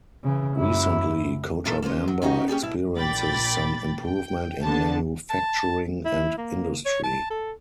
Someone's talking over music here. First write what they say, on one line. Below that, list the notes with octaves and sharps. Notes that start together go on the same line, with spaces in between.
Recently, Cochabamba experiences some improvement in manufacturing and industry.
C#3 E3
F#2 E4
A#2 E3 A3 F4 A4 A#4
A#3 C#4 F4 C5
F#3
C#3 C#4 D#4 F#4 G4
C#4 G4 G#4 D5
B2 E4
A#1 A#2 G5 B5 D6 A6
G5
D3 B3 D4 A5
A5
E4
A#3
C#5
A5
A4